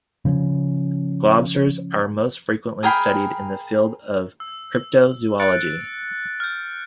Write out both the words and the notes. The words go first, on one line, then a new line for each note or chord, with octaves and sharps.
Globsters are most frequently studied in the field of cryptozoology.
C#3 F3 C4 C#4
G#4 A#4 G5 B5
E6
F#6 A6 C#7 D7
F6 G6